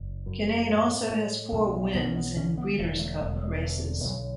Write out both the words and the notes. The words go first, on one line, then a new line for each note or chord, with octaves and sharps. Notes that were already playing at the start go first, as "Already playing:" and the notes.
Kinane also has four wins in Breeders' Cup races.
Already playing: F#1
F#2
A2
A2
B1
B1 B3
C#4
B3
D3 C#4
B3
E1 A3
A3
E1 A3
G#3
F#3
G#3
D3 E3
E3
B1 F#3